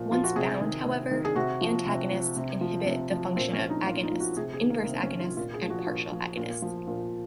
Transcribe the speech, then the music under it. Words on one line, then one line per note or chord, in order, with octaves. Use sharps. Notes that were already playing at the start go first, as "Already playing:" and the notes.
Once bound, however, antagonists inhibit the function of agonists, inverse agonists, and partial agonists.
Already playing: A#2 F3
F3 F4
F#4
C3 G#4
D#3
C3
D#3
G#4
C3 F#4
F3
C3
F3
C3
F3
C3
F3
A#2 C4
C#4
F3
D#4
A#2 F4
D#4
F3
F#4
C3 G#4
G#4
D#3
A#3
A#3
C3 C4
C#4
D#3
F4
A#2 F4
G#4
F3
F#4
A#2 F4
F3
A#2
F3
A#2